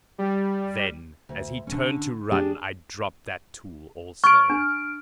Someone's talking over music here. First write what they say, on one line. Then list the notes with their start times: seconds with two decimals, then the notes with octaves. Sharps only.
Then, as he turned to run, I dropped that tool also.
0.18 G3
1.29 D2
1.67 D3 C#4
2.32 D4 G4 G#4 D5
4.24 C#6 F6 D7
4.50 D4